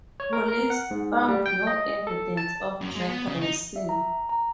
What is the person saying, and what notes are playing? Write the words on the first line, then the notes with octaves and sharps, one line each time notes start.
Police found no evidence of drag racing.
C#5
A#4
A#4
F#5
G#2
G3
G5
D#5
A4
A5
F#2
G#3
B3
C#3
D#4
E5
A#5
A#5